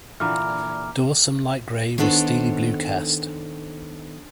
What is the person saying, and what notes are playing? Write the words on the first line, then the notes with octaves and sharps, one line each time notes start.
Dorsum light grey with steely blue cast.
A#2 D3 E3 A#5 D6 F6
D#3 B3 D4 A4 C5 C#5